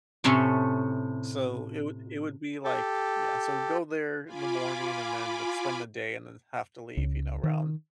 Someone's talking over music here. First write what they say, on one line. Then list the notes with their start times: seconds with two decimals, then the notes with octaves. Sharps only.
So, it would it would be like yeah. So go there in the morning and then would spend the day and then have to leave, you know, around
0.24 A2 C3 A3 C#4
2.64 G4 A4
4.25 F4 G#5 B5 D6
6.97 C#2
7.43 D#3